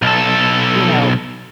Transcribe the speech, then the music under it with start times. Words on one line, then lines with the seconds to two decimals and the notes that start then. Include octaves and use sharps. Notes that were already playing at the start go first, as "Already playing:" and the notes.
you know,
0.02 B1 A4